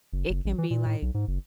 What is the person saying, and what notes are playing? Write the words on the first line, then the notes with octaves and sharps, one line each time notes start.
it can be, like,
F#1
F#1
A1
E3
A#2
A2
B1
G#2
F#1